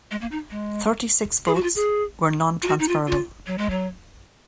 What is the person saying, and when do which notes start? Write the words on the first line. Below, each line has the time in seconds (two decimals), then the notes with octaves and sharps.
Thirty-six votes were non-transferable.
0.11 G#3
0.21 A#3
0.32 D#4
0.51 G#3
1.47 G#4
1.55 F#4
1.63 F4
1.76 G#4
2.62 F4
2.68 F#4
2.79 D#4
2.88 F4
3.07 F4
3.47 F#3
3.58 G#3
3.70 F#3